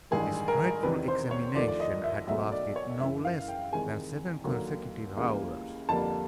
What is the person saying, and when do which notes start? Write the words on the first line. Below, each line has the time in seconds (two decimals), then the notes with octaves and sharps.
This frightful examination had lasted no less than seven consecutive hours.
0.11 A1 G2 D#3 G#3 G#4
0.48 A#4
0.83 E2 C3 D#3 B4
1.08 C5
1.31 C#5
1.55 D#2 D3 F3 A3 D5
1.68 D5
1.80 D#5
2.03 E5
2.27 B1 B2 F#3 A3 E5
2.52 D5
2.76 C#5
3.00 F#1 F#2 C#3 E3 E5
3.25 F5
3.48 G5
3.72 E2 C3 D#3 G#3 G#5
4.44 D#2 D3 F#3 A#3
5.17 C#2 C#3 E3 G3 A#3
5.89 F2 D3 G3 A#3 A5